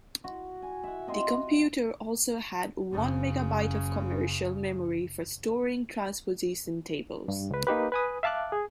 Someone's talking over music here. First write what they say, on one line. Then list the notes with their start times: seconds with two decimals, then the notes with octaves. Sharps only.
The computer also had one megabyte of commercial memory for storing transposition tables.
0.24 F#4
0.62 G#5
0.84 E5 F#5
1.07 C3 D#5 C6
2.92 F#1 C#3
7.28 G2
7.51 C#2 B4
7.67 A#3 D#4 G4 B4
7.92 B4 G#5 D#6
8.23 E5 F5 A5 D6 F#6
8.52 G#4